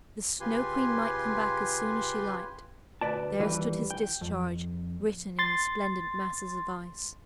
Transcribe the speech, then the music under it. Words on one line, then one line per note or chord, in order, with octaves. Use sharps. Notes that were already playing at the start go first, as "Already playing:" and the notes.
The Snow Queen might come back as soon as she liked; there stood his discharge written in resplendent masses of ice.
C#3 F4 G4 B4 G#5 C6
D2 B4 D5 A5
D#2 E3 G3 B4
G5
F2
C6 A6